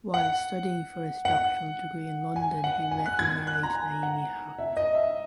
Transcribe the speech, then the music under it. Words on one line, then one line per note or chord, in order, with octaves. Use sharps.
While studying for his doctoral degree in London he met and married Naimi Haque.
F#5
F#5
G#5
F#5
G#5
F#6
G#6
F#6
A#5
G#5
F#5
E5
D#5
E5